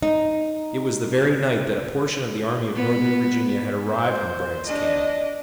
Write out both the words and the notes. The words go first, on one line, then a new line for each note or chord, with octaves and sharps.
It was the very night that a portion of the Army of Northern Virginia had arrived in Bragg's camp.
D#4
B3
C5
D4 D#5